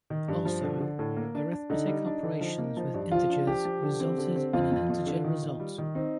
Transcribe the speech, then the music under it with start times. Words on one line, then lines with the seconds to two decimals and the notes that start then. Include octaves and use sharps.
Also, arithmetic operations with integers resulted in an integer result.
0.10 D#3
0.28 G2
0.45 F3
0.63 D3
0.81 D3
0.99 A2
1.17 A#3
1.35 D4
1.52 D4
1.70 D3 D#4
1.87 G3
2.05 D4
2.23 D3
2.41 F3
2.58 A#3
2.77 F3
2.94 G2
3.11 F3 F4
3.29 D4
3.47 F3 G4
3.65 F3
3.83 D3
4.00 C4
4.18 D3
4.36 C4
4.53 F2 F4
4.71 F2
4.89 F2
5.07 D3
5.24 D#3
5.43 D#3
5.60 G3
5.78 D#3
5.95 C4 D#4